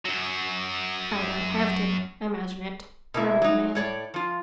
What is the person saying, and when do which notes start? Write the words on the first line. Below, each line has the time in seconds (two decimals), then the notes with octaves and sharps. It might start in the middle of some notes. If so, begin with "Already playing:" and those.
"I don't have to--imagine it," murmured the man.
0.05 F#2 F#3
3.14 B2 A#3 E4
3.42 F#3 D#4
3.75 A2 C#5 D5
4.14 F3 F4